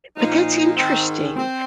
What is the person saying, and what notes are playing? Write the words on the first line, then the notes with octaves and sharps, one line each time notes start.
but that's interesting.
A#2 F3 D#4
G#2 D#3 C4
C4